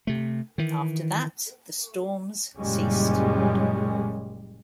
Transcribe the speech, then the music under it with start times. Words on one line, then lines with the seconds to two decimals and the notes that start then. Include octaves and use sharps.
After that, the storms ceased.
0.07 C3 A3
0.58 D#3 E3
2.58 F#1 A#2 G3 G#3 C#4